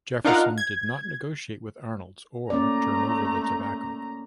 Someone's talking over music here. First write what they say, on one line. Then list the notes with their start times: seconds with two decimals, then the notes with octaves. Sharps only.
Jefferson did not negotiate with Arnolds or turn over the tobacco.
0.24 D4 D#4 F4 A#4 F5 F#5
0.58 G#6
2.50 A3 A#3 C#4 D5 A#5